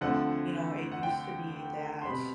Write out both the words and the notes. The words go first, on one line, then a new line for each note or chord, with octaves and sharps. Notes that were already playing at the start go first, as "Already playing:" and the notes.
You know, it used to be that,
D2 D3 F3 A3 C4 F#5
F#5
G5
C6
B2 G3 C4 B5